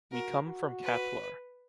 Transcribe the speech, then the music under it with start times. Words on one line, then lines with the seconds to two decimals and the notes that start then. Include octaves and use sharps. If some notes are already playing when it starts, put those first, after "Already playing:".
We come from Catllar.
0.12 F#4 A#4
0.47 F#4
0.82 B4